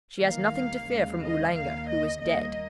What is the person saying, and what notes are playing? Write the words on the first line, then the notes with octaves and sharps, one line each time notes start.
She has nothing to fear from Oolanga, who is dead.
D#2 D#3 G3 A#3 F5
D#2 C#3 G#3
D#5
D#2 D#3 A#3 F5
D#5
D#2 D#3 G3 A#3 D#5